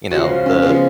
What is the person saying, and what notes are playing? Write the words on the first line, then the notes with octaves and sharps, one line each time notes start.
you know, "The
C#3 F3 G#3 F#4
F4
C#4
C#3 F3 G#3 B3